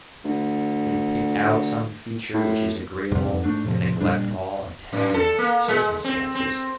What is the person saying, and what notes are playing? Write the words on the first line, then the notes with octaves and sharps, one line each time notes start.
They pick out some feature which is agreeable and neglect all attendant circumstances.
D2
A2
F2 G#2 C3 G3
F2 G#2
G#2 A3 D4
A2 C3 D#3 F3
A#2 G3 D4
F#2
A4
A#3
G#3
C4
C4